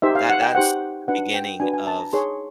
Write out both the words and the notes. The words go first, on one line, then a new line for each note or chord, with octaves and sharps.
that that's the beginning of
D#4 G4 C5 E5
F5
F#5
G5
D#4 G4 C5 F#5
D4 F#4 B4 F#5
G5
D4 F#4 B4 G#5
G#5
A5
A#5
D#4 G#4 C#5 C6